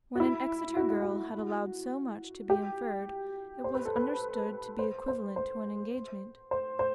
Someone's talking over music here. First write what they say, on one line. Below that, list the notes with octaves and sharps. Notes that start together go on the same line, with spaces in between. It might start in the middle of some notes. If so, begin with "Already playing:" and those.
When an Exeter girl had allowed so much to be inferred, it was understood to be equivalent to an engagement.
F#4
E4
F#4
E4
F#4
G4
C5
B4
A4
B4
C5
C5
C5
C5
C5